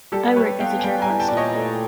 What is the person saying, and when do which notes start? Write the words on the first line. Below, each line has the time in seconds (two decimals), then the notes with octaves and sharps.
I work as a journalist.
0.12 G3 G4 A4
0.36 G3 B4 C#5
0.60 B3 F5 G5
0.79 G#5
0.84 G3 F5 G5
1.02 G#5 A#5
1.08 E4
1.20 G5 A5
1.28 A#2 D5
1.37 C#5 D#5
1.56 A3